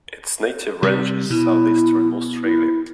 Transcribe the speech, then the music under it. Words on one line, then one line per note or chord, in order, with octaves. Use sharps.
Its native range is Southeastern Australia.
C3 G3
B2 E4
E4